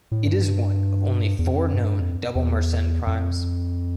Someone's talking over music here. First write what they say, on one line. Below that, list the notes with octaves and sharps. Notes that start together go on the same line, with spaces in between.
It is one of only four known double Mersenne primes.
A2
G2
E2
F2
G2
F2
E2
F2